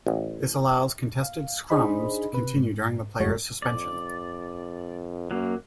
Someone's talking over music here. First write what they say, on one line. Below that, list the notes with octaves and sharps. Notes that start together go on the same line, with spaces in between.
This allows contested scrums to continue during the player's suspension.
A1
F5
D4 D#4 G#4 C5 D#5 B5
C3 B4
G#2
G1 F2 G#3 A3 F#4 C#5
F2 D5
F#2 F#3 A#3